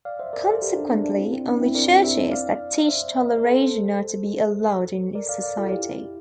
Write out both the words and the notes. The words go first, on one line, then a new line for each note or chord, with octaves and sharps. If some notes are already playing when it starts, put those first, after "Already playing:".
Consequently, only churches that teach toleration are to be allowed in his society.
D5 F5
C5 E5
A#4 D5
A4 C5
G4 A#4
D4
D4
D4
C4 E4
C4
D4
C4 E4
A#4 D5
C5 E5
D5 F5
C5 E5
A#4
A4 C5
A#4 D5
D5 F5
D5 F5
F4 A4
E4 G4